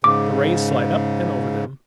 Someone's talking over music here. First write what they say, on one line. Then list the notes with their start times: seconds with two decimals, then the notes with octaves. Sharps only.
The rays slide up and over them.
0.04 G#2 C#3 D6